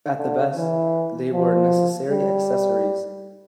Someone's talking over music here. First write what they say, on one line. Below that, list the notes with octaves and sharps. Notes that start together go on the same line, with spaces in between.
At the best, they were necessary accessories.
D3
E3
F3
G3